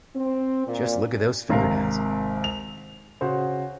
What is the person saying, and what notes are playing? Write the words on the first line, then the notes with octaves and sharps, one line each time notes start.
Just look at those fingernails!
C4
A#2
G#1 C3 A#4 F5
F7
C#3 F#4 C5